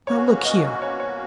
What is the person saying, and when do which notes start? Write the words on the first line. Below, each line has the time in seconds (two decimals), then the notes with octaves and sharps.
Now, look here!
0.07 B2 A#3 C#4 F#4 C#5
0.44 D#5
0.82 C#5
1.00 C#5